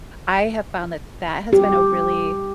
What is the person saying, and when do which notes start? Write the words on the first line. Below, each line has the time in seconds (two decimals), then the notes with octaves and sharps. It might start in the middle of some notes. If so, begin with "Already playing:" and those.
I have found that that has been a really
1.53 G4